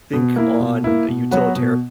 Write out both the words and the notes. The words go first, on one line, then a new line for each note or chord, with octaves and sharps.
think on a utilitar
B2
A#3 E4
B2
A#3 E4
B2
F#3 B3 F#4
B2